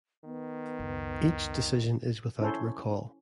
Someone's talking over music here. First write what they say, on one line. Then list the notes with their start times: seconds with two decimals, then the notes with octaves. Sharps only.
Each decision is without recall.
0.25 D#3 B3
0.79 C#2 F#2
2.40 C#4 E4 A4 C5